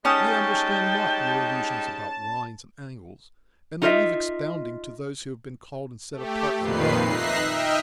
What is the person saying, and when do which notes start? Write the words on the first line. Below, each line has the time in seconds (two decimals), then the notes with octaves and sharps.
I understand not your allusions about lines and angles; and I leave expounding to those who have been called and set apart for that holy office.
0.05 G3 G#3 C#4 D#4 G5 A5 D#6
3.82 D#4 F4 A4 C5 D#5 E5
6.12 A3 G4
6.57 F2 A#2 D#3 B4 C7
7.03 D#4 E5 F#6 A#6 C7
7.46 D#5 E5 G5 F6